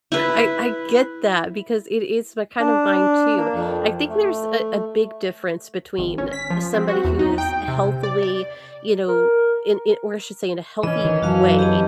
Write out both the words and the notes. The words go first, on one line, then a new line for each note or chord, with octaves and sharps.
I I get that because it is my kind of mine too. I think there's a a big difference between somebody who is healthily, you know, in in or I should say in a healthy way
E4 B4
D4
A#3
F2
A3
G#1
C#4
B6
F3
C4
F#4
E2
D#4
G5
C3
D5
D5
A#4
E3 C#4 D#5
D#3
F#2 F#3 F#4 F5 A5
G4 D#5 A5